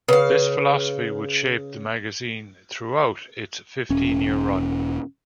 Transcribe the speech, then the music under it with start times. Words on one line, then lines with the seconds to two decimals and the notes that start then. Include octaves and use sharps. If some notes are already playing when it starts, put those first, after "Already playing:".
This philosophy would shape the magazine throughout its fifteen-year run.
0.08 C#3 B4 F5
3.90 E1 C#4